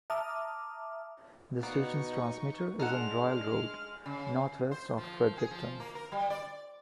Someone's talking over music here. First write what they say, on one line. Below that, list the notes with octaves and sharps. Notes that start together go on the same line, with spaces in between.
The station's transmitter is on Royal Road, northwest of Fredericton.
E5 A5 A#5 D6 D#6 F6
B2 A#3 B3 D#4 D5 C#6
G#3 D4 D#4 A4 F#5 F6
C#3
C5
F3
G#4
F3
A#3
A#4
G3
D5